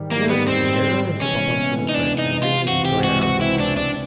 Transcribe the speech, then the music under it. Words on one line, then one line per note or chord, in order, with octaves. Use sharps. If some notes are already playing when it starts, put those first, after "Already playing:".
And Elsie, dear, run into papa's room first, and bring me the drawer out of his table.
Already playing: G#2 D#3 G3
A#3
B3
C4
C3 E3 G#3 B3 C#4
D#4
D4
D#4
F4
C#2 C3 E3 G#3 C4 F#4
G4
F#4
F#4
E4
D4
D4